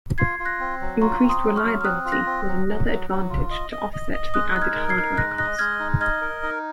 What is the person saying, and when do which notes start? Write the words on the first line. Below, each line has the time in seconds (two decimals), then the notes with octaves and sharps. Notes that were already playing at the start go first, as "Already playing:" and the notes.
Increased reliability was another advantage to offset the added hardware cost.
0.18 F4 G#6 C7
0.39 F4
0.45 F#6 A#6
0.60 C4
0.81 F#3
1.01 F4 A#5 C#6
1.22 C4
1.29 C6 D#6
1.43 F#3
1.56 C#6 F6
1.63 F#3
1.81 F6
1.84 C4 D#6 F#6
2.05 F4
2.12 F#6 A#6
2.26 C4
2.47 F#3
2.68 F#3
2.88 F#3
3.10 F#3
3.30 F4
3.50 D#5
3.72 D#5
3.93 D#5
4.13 D#5
4.34 G#3 D#6 F#6
4.55 D#4 F#6
4.61 F6 G#6
4.76 A#4
4.89 G#6 C7
4.97 D#4
5.17 G#3 F#6 A#6
5.38 D#5 F#6 A#6
5.58 G#3 F6 G#6
5.79 D#4
6.01 D#5 F6 G#6
6.21 A#4
6.43 D#4